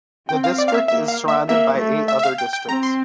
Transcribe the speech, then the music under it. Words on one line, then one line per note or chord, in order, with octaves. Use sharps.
The district is surrounded by eight other districts.
C4 G5
F5
D5
F5
E5
A#3 E5
F5
E5
A#3 E5
A3
E5
E5
F5
G5
G5
C4 A#5
C6